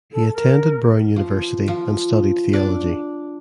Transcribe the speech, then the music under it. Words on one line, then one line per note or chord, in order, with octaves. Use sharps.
He attended Brown University and studied theology.
A4
A#4
F3
F3
D4